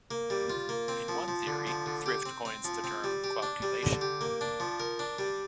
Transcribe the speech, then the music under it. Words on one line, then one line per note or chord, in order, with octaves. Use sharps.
In one theory, Thrift coins the term qualculation.
A#3
G3
F4
A#3
C4
F3
F3
D3
F3
D3
G4
C4
C4
F3
C4
G3
G4
D4
G3
D3
G4
A#3
D4
F3
A#4
D4
G3